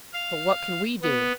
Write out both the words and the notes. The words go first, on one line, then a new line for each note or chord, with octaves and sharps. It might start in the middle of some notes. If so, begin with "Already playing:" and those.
But what can we do?
F5
B3